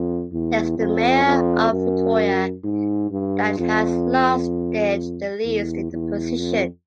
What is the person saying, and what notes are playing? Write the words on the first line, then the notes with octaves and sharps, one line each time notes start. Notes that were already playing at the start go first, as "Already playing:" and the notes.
Is the mayor of Vitoria that has lasted the least in the position.
Already playing: F2
E2
F2
F2
F#2
G#2
G2
F2
E2
E2
F2